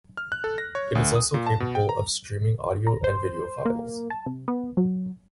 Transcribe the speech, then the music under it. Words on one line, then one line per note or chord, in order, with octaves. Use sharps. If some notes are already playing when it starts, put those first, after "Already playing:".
It is also capable of streaming audio and video files.
F6
F#6
A4
A#6
C#5
D2
D#6
A#2
A5
B2
G5
A#5
A#5
C5
A#3
A5
C3
B3
F#3